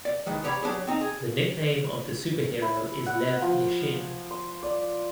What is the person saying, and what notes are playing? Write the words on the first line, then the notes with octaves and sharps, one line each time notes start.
The nickname of the superhero is Lev Yashin.
D5
D#3 E3 G#3
G4 C#5 D5 F5 G5 B5
F#3 D4 G4 G#4
C4 D#4 D#5
G#4
E4
F#5
F3
C6
D5